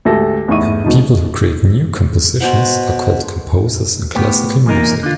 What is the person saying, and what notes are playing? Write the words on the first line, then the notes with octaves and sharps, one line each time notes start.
People who create new compositions are called composers in classical music.
D2 G#2 G4 A4 A#6
E2 A2 D#4 E5 C#6 D#7
G#2 B2 D#4
B2 C5 F#5
A2 B3 G4
E2 A#2 A#3 D#4 A#4
D3 F4